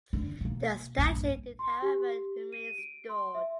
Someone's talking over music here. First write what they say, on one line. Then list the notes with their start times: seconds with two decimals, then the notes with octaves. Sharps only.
The statue did however remain stored.
0.13 F#1 D3
0.41 B2 A#3
0.98 A#1 G2
1.59 C6
1.82 G4
2.52 D#7
2.78 D7
3.09 C6
3.35 E5